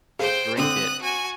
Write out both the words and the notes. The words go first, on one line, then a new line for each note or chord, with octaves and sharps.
drink it,
G#4 C5 F5 G5
D3 C4 D#6 F#6
F#4 G#5